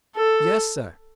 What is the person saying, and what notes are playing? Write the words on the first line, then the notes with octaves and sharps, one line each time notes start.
"Yes, sir."
A4